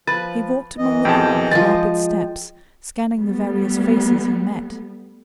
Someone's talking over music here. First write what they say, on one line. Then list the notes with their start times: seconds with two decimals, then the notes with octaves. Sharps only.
He walked among the crowd with rapid steps, scanning the various faces he met.
0.07 F3 B4 A6
0.78 F#2 E3 D#5
1.05 F2 B2 G#4 G5 A5
1.51 F3 G#3 A6
3.19 G3 A3 B3